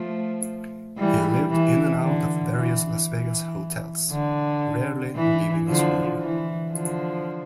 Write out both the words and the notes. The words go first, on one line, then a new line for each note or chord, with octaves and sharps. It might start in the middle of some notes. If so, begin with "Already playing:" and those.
He lived in and out of various Las Vegas hotels, rarely leaving his room.
Already playing: F3 A3
E3 G3
E3
D3
E3
E3
D3
E3
D3 F3
E3
D3 F3